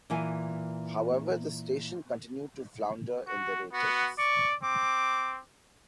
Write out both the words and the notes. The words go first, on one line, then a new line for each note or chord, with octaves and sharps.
However, the station continued to flounder in the ratings.
A#2 E3 G#5
F#4
B3 F#4
D5 C#6
C4 D6